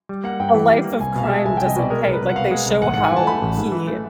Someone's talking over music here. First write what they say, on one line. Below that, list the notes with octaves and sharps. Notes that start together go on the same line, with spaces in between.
a life of crime doesn't pay. Like, they show how he
G3
A#3 F#5
G2 G5
E3
G3
A#3
C2 G#5
B2 F5
E5
G#3 A5
C2 G#5
C2 G5
D#5
B2 D5
G#3 A#4
C2
B4
C2
F#5
B2 F5
G#3
C2
A1 F#5
G#2 F#5
G#5
E3 A5
A3 B5
A1
G#2
E3
A3